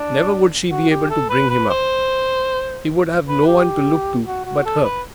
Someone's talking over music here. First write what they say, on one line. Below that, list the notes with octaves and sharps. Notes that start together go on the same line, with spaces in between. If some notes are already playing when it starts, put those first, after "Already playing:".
Never would she be able to bring him up--he would have no one to look to but her.
Already playing: D4
F#4
G4
A4
B4
B4
C5
B4
G4
F#4
F#4
A4
B4